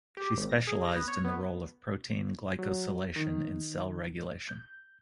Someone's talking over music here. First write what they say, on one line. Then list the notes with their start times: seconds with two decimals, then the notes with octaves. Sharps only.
She specialised in the role of protein glycosylation in cell regulation.
0.17 G4
0.37 G#1
0.49 A#6
0.67 G#4
0.85 A#6
0.96 B3
1.08 C#5
1.24 B3
2.59 F#3
3.16 D#3
4.49 G6